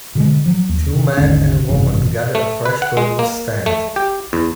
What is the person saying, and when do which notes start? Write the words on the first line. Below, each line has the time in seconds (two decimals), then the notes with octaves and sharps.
Two men and a woman gather a fresh produce stand.
0.15 B2 D3 G#3
0.46 F3 F#3
0.69 D#2
0.95 C3
1.17 G#1 D#2 D3 C#4
1.69 G#1 F#2 C3 E3
2.35 A3
2.66 B4
2.82 F#5
2.97 G#3
3.19 A#3
3.66 A3
3.96 G4
4.33 E2